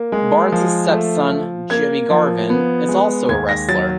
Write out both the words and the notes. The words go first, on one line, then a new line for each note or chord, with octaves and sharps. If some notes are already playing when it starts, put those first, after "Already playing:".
Barnes' stepson, Jimmy Garvin, is also a wrestler.
Already playing: A#3
G#3
F3
A3
F3
A#3 G#6
F3
B3
G#3
D#2 G#6
A#6
F#3 A6